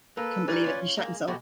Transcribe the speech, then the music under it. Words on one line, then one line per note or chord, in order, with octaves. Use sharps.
I couldn't believe it, he shat himself!
A#3 A4 B4
D#3 G3 D#4 B4 D5 G#5
C#4 F4
G#3 A#3
B2 G#3 A3 F#4 G4